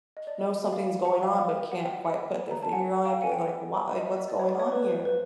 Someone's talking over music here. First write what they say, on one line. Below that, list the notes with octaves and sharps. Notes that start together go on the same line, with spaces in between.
knows something's going on but can't quite put their finger on it, but, like, why like, what's going on here?
D#5
D5
D#5
F5
F#5
F5 G5
F5
F#5
G5
F#5
F#5
A#5
A5
F#5 G#5
F5 G5
F#5 G#5
G5
F#5
D#5
E5
D#5
D5
C#5
D5
C#5
B4
B4
C5
B4